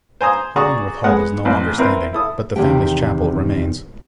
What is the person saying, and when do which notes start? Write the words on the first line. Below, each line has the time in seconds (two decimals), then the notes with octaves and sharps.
Hollingworth Hall is no longer standing, but the family's chapel remains.
0.21 C5 G#5 A#5 D#6
0.56 F#4 G#4 D5 A#5 C#6 D#6
1.04 G#3 B3 F#5
1.45 A1 C4
1.78 C4 E4 A#4 B4
2.13 E4 A4 D#6
2.56 E2 C3 D#3 B3 G4 G5